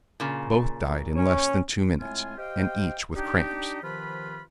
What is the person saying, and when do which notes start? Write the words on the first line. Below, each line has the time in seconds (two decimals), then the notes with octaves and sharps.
Both died in less than two minutes, and each with cramps.
0.20 A#2 C#3
1.17 C#4 C#5
1.99 A2 G#3 C4 F4 G#5
2.37 G4 C5 D#5 F5 G5
3.15 D4 D#4 G4
3.83 C3 D#3 F3 F4 B4 B5